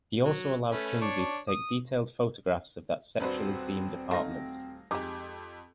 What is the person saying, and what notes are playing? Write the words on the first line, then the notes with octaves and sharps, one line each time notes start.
He also allowed Kinsey to take detailed photographs of that sexually-themed apartment.
F#3
A3 C#4 B4
D4 C#5
D#6
D#1 C4 D4 F#4 B4 C5
A3 D#4 F5 A#6
F2 G#3 D#4 G4 D6